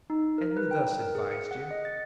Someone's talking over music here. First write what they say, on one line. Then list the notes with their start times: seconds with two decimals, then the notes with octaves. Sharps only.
"And who thus advised you?"
0.10 D#4
0.38 A#4
0.57 B4
0.71 G5
1.00 A#4
1.15 G#4
1.32 C#7
1.51 F#5
1.71 D#5
1.85 A6